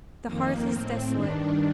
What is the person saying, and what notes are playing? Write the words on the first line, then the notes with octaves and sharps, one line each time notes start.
The hearth is desolate.
F2 D#3 A#3
A2 C4
G2 D#3 D4